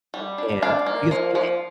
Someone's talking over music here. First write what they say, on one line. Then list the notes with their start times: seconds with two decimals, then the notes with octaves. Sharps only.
and because it
0.14 G3
0.38 D4
0.63 D4 D5 F5
0.86 A#3
1.11 F3
1.35 F3